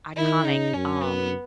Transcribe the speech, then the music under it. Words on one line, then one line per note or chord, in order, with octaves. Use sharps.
iconic, um.
D#3 E4
C#3 D#4
F#2 C#4
B3